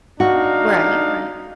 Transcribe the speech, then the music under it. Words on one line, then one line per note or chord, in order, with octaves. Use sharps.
Right, right.
D4 D#4 F#4 F5